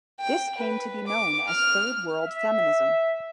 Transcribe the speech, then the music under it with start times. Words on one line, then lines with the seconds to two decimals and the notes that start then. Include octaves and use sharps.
This came to be known as Third World feminism.
0.20 G5
0.58 B4
1.07 D6
1.48 F6
2.20 E5